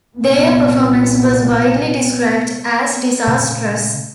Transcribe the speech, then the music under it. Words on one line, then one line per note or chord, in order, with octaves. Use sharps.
Their performance was widely described as disastrous.
C2 A#2 B3
A#2 C#3 A3